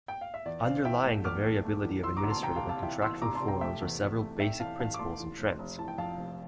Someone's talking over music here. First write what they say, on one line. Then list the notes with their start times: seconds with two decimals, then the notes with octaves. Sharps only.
Underlying the variability of administrative and contractual forms were several basic principles and trends.
0.08 G5
0.21 F5
0.34 E5
0.45 E2 D5
0.65 C4 D5 F5
0.85 E3 E5 G5
1.05 A3
1.25 E2 D6 F6
1.44 A3
1.64 A3
1.84 E3
2.03 E3 C6 E6
2.17 A#5 D6
2.23 D2
2.30 A5 C6
2.42 C3 G5 A#5
2.56 F5 A5
2.63 C3
2.69 F5 A5
2.82 E3 E5 G5
3.02 E3 C6 E6
3.22 C3 A#5 D6
3.35 A5 C6
3.42 C3
3.48 G5 A#5
3.61 A3 E5 G5
3.81 E2
4.01 E2
4.21 A3
4.40 E3 E5 G5
4.60 E3 F5 A5
4.79 E2 F5 A5
4.94 D6
4.99 A3 A5 C6
5.19 E3
5.38 F1
5.58 F1
5.78 E3 A5
5.88 G5
5.98 F2 F5 A5
6.18 F1